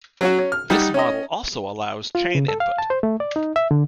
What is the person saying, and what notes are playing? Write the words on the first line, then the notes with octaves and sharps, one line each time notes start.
This model also allows chain input.
F#3 C#4 F#4
C#4
F6
G3 D#4 F#5
C#4 D#5
F4
C#3
A4
F5
A5
C5
A3
D5
D#4
E5
D3